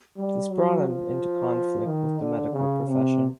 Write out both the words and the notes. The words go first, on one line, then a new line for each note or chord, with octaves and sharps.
This brought him into conflict with the medical profession.
G3
F#3
F3
D#3
D3
C#3
C3